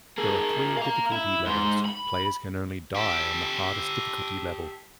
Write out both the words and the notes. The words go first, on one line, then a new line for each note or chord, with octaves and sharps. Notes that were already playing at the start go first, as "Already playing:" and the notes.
There are three difficulty levels; players can only "die" on the hardest difficulty level.
G#4 A#4
F5 A#5
E4
G#2 C5
B5
G4 A4